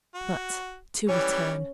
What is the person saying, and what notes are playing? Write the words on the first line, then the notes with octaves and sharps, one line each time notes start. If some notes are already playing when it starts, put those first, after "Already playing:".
But to return.
F#4
E3 G3 C#4 C#5